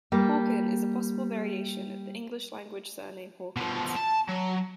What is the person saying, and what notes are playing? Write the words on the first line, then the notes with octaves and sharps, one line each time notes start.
Hawken is a possible variation of the English language surname "Hawkins".
G3 A#3
B2 F3
A5
F#3